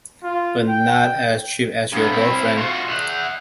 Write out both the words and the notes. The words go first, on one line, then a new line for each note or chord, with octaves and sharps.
But not as cheap as your girlfriend.
F4
G5
G2 B3
C4 E4
F4 F#4
E5 F#5